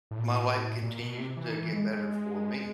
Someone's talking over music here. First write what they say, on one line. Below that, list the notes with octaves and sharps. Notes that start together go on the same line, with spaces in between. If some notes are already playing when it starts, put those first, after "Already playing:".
my life continues to get better for me,
A2
A#2
A2
A#2
B2
C3
E3
D#3
E3
G#3
G#3
G#3